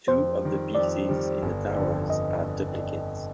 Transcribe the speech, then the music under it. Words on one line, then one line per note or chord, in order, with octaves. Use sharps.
Two of the pieces in the towers are duplicates.
F2 C5
D#3 G3
F2 D5
D#3 G3
G1
F2 D3
G1 D#5